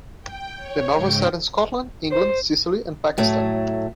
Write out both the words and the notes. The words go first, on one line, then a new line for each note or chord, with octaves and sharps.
The novel is set in Scotland, England, Sicily and Pakistan.
G5
C#5
G#2 C#3 G5
C5
A2 F#3 A3